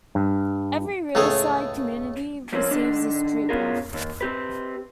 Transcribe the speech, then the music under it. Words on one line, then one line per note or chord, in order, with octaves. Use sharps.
Every riverside community receives this treatment.
G2
C#2 A2 A3 G#4 C#5
F2 A#2 F3 A#3 C4 C#4
D3 D#3 D4
B3 C#4 F4 G#4 A#4
D#2
C4 G4 B4